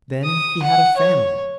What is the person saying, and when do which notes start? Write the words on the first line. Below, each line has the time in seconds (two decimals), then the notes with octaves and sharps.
Then he had a family!
0.24 D#6
0.62 F#5
0.97 C#5